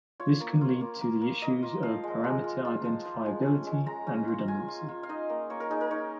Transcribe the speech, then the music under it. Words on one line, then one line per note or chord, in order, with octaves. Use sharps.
This can lead to the issues of parameter identifiability and redundancy.
F4 C#5
A#3
F4
A#3
A#3
A#3
A#3 D#5
F4
F3 F5
G#3
G#3
F4
F4
F3
F3
G#3
C#4
G#3
G#3 A#5
C#4
F4
F4 G#5
F4
F4
F5
D#4 D#5
A#3
A#3 C#5
A#4
D#4 G#4
A#4
D#4 C#5